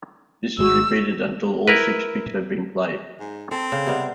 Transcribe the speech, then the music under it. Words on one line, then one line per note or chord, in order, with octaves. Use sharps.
This is repeated until all six tricks have been played.
G#1 G#3 F#4 E6
E4 A#4 B4
G#2
C4 A4
C#3
C3 G3 B3